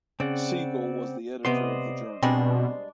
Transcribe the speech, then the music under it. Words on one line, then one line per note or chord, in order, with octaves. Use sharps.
Siegel was the editor of the journal.
C#3 C4 D5 F#5
C3 B3 C5 D5 D#5 C6
B2 G3 G#3 C4 D4